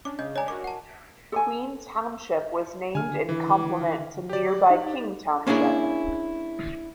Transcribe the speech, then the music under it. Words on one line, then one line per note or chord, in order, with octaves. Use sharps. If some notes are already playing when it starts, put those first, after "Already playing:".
Queen Township was named in complement to nearby King Township.
C#4 D4 D6
C#3 D#5 G6
D4 C#5 D5 G#5 A#5
F#4 A#4 C#5 D6
F#5 A5
A4 G#5
D3 G#5 F6
E3
G4 D5
D#4
A#3 C#4 D4 E4 G#4